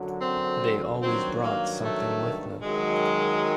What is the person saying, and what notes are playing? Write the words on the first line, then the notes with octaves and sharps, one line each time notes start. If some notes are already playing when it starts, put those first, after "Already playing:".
They always brought something with them.
Already playing: F#2 D3 F#3
C4
G2 D#3 F#3 C4
A#3
A3
F#2 D#3 F#3 G#3